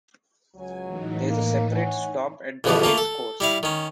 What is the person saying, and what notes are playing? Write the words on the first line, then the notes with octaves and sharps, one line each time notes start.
There is a separate stop at the race course.
C#2 F#3 G#5
A2 E3 D#4
A#3
C#5 F#5 G#5
A#1 F2 D3 E3 F3 G3
A3 A#3 F4
A4
G3 E4 F5
D#3 C#4